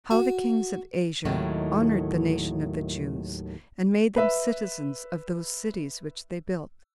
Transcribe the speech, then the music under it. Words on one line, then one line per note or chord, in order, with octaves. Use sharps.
How The Kings Of Asia Honored The Nation Of The Jews And Made Them Citizens Of Those Cities Which They Built.
F#4
D#2 A2 D#3 F#3
B4 E5